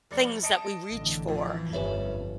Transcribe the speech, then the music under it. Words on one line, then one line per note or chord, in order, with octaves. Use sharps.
things that we reach for,
F1 D5 C#7
D#5 A5 D7
A1 D3
F2 E3 F3
G1 F2 G3 C#4 B4 C#5 E5